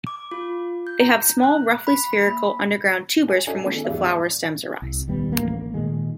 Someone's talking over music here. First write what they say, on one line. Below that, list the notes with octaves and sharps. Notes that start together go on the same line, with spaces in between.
They have small, roughly spherical, underground tubers from which the flower stems arise.
D6
F4
G6
A#5
F#6
B5
B5
A#3
G#5
D#4 F#4 A4 C#5 D5 G#5
D#3 A3 B3
E2 G#2 G3 B3 D5 E5
C2
D#1 D#2 G3 B3
A1 D2 A#3
A#2 D#3 G#3